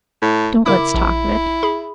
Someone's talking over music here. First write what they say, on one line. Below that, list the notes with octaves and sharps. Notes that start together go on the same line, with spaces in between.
Don't let's talk of it.
A2
C#3 E4 A#4 D6
A#1
G#4 B5